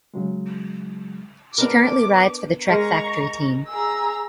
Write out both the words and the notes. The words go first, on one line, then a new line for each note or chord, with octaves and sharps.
She currently rides for the Trek Factory Team.
C#3 F#3 G#3
B3 D4 A#4 D6
G#3 G#4 A#4 A#5 C#6
G#4 A#5 E6